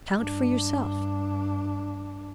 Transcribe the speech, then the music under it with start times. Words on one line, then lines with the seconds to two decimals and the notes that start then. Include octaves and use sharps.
"Count for yourself."
0.14 G2 D4